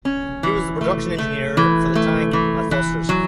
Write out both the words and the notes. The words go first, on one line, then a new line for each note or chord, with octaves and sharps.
He was the production engineer for the tank at Fosters.
C#4
E3
A3
A3
E3
A3
E3
E3
F#3